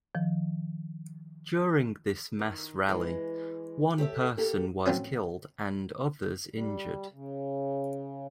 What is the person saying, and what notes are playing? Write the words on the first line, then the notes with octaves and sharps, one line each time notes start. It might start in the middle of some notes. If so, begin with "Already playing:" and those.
During this mass rally, one person was killed and others injured.
D#3 F3
D#3
E3 G#3
G4 A4 C#5 E5
A#3 G4 A4
A2 F3 F#3 C4 C#4 F#4
G3
C#3